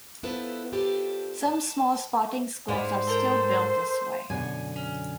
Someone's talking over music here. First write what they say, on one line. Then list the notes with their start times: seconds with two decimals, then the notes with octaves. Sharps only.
Some small spotting scopes are still built this way.
0.23 B3 E4 F4 A4 B4 C5
0.73 F4 G4 A4 B4 C5 D5
1.46 A5
2.68 G#2 A#3 B3 E4 C5 D5 B5
3.07 A4 A#4 G5
4.30 F#2 B2 D3 G#5
4.76 C#4